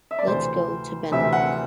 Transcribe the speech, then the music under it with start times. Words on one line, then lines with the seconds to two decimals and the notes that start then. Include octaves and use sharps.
Let's go to Benlloc.
0.11 E5
0.19 D5
0.27 D2 C3 E3 C5
1.12 D2 C3 E3 E5
1.33 F#5